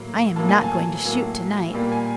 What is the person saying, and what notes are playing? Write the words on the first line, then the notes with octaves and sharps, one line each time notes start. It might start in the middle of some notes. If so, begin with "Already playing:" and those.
I am not going to shoot to-night.
Already playing: A2 F#3 A#3
A2 F#3 A#3 A5
G#5
A5
A2 F#3 A#3
A#2 G3 A#3
G#5